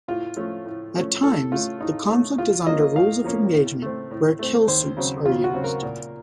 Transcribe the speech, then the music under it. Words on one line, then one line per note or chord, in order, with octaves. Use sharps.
At times, the conflict is under rules of engagement where "killsuits" are used.
A2 F4
F3 A3 C#4
A2
F3 A3 C#4
A2 A4
A3 C#4 F4
A2 D#4
A3 C#4
A2 F4
F3 A#3 C#4 D#5
A2 F5
F3 A#3 C#4
A2
A3 C4
A2
A3 C4
D#2 C5
C#3 F#3 C4
D#2 F4
F#4
C#3 F#3 C4
A#4
A#2